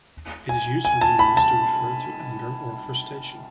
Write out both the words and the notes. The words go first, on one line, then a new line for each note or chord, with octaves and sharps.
It is usually used to refer to anger or frustration.
G#5
G#5
A5
B5
A5